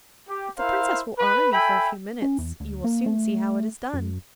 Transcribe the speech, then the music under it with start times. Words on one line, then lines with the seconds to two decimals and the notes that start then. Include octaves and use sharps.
If the princess will honour me for a few minutes, you will soon see how it is done.'
0.29 G4
0.59 E4 A#4 C5 F5
1.18 B4
1.53 A4 E5 G5 G#5 B5
2.22 C#4
2.38 E2
2.60 D2
2.84 A#3
3.06 A3
3.93 F#2